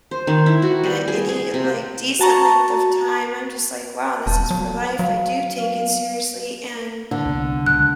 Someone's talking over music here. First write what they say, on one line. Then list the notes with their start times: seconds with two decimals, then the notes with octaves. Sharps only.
a any, like, decent length of time, I'm just like, "Wow, this is for life, I do take it seriously, and
0.11 C5
0.27 D#3
0.46 E4
0.62 F#4
0.84 G3
1.08 G#4
1.29 G#4
1.54 C3
2.20 F#4 A5 A#5 C#6
4.26 E1 B3 A5 G6
4.50 F#3
4.99 F#3 F5
5.58 B3 F5
7.11 D3
7.25 C2 B3
7.66 C#2 A#2 F#3 F#6